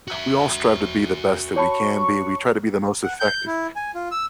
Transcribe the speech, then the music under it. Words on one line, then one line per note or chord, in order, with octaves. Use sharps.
we all strive to be the best that we can be. We try to be the most effective,
F#4 E5
C#5 A5 B5 C#6
F#5
G6
E4
G#5
F4
E6